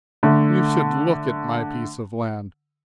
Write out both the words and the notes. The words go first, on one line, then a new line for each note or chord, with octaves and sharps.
You should look at my piece of land.
D3 A3